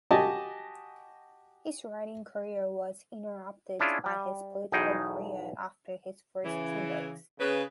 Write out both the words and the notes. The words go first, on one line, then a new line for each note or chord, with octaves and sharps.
His writing career was interrupted by his political career after his first two books.
F#4 G4 D#5 G#5 A5
C#4 D4 E4 F4 G#4
G3
B1 E2 B2 D#4 G#4 G5
C#3 E3
C#3 B4